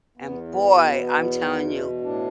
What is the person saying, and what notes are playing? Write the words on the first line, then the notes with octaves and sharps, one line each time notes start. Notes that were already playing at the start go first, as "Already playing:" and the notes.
And boy, I'm telling you,
E2 B3
B3
B2
B3
E2
B2
A2 D4